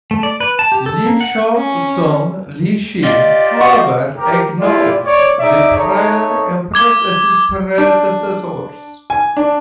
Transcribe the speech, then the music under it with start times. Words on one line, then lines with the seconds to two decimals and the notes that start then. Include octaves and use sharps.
Li Shou's son Li Shi, however, acknowledged the prior emperors as his predecessors.
0.11 A3
0.23 D5
0.40 B4
0.59 A5
0.72 G4
0.86 A4
1.06 A#3
1.21 F#5
1.55 C#4
3.03 F4 G4 D5 D#5
3.60 F#4 C6 C#6
4.17 G4 A#4
4.59 E4 F4 G4 D5
5.05 C#5 D5
5.40 D#4 G#4 D5 E5
5.75 A3 D#4 C#5
6.74 D6 G#6 G7
7.78 D4
9.10 G#5
9.37 D4